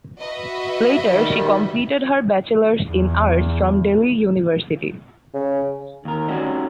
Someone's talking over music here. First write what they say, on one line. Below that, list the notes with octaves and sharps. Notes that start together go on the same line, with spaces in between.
Later she completed her Bachelors in Arts from Delhi University.
F#4 B4 D#5 E5
D#3 G3
E2
C#3
D#2 A#4
G3 A3 C#4 D#4 F#4 G#4